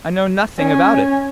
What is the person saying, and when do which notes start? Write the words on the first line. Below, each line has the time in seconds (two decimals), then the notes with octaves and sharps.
"I know nothing about it."
0.57 C#4